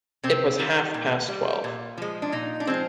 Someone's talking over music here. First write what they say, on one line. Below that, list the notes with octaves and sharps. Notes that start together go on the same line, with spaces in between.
It was half-past twelve.
C3 C4
D#3 G3 G4
A#2
G3
A#2
F3 G#3
D4
A#2 D#4
D4
F3 G#3 C4